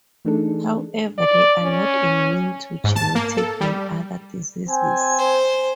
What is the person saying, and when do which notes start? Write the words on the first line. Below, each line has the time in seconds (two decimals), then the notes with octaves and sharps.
However they are not immune to genetic and other diseases.
0.25 E3 A3 D4 D#4 G#4 A4
1.18 D5
1.62 C#4
2.84 G#2
2.96 A5
3.15 A#3
3.37 A4
3.61 G3
4.69 C4 G#5
5.18 C5